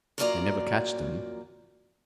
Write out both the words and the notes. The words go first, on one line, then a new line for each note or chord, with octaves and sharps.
They never catch them.
F#2 F#3 A#3 F4 D5 A#5